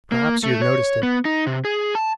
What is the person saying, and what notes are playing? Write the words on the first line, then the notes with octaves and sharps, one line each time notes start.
Perhaps you have noticed it.
A#3
A3
C#5
B3
D#4
C3
G#4
A5